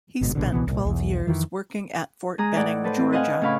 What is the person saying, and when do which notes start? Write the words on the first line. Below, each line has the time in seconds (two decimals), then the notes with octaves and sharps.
He spent twelve years working at Fort Benning, Georgia.
0.21 G1 G#2 B2
0.35 A#1 B2 D3
0.52 C2 B2 E3 B3
0.67 C2 A#2
0.85 B1 E2
1.27 F2 D#3 E3
2.38 G#3 G#4 A#5 D#6
2.56 A2 D#4 D5 F#5
2.84 A4 B4 C5
2.97 C4 F4
3.13 B4 D#5 F5 F#5 G#5
3.41 A2 C#3 F5 B5 C#6